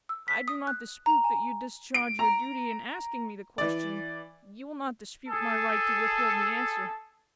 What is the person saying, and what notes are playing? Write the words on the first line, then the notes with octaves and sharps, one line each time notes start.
I do not dispute that you discharge your duty in asking me the question; you will not dispute my right to withhold the answer.
E6
B6
D#6
F#6
A#5
G#5
D7
A#5
E3 D5
G#4 A4